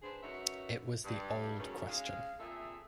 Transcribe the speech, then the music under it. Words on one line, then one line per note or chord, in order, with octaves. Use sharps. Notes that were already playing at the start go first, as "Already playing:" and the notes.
It was the old question.
D4 G#4 B4 C5
F#2 D#4 F#4 B4 C#5 E5
G2
F#2 C#3 F#3 A3 C#4 D#4
G#3 C#4 G#4 F5
A#2 C4 G#4 A4 E5